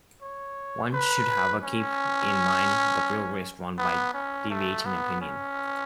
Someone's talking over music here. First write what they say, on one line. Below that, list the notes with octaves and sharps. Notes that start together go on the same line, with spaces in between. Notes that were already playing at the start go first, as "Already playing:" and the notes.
One should however keep in mind the real risk run by deviating opinion.
C#5
B4
C#4
B3
C#4
A3
B3
C#4